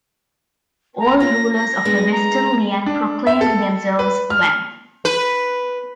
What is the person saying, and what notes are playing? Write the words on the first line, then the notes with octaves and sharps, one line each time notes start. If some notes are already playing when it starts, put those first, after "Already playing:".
All rulers of the Western Liang proclaimed themselves "wang".
A#5
C#4 F4 A#6
A#6
G#3 B3 D4
A#5
D4
E5
A4
B4
F6
B4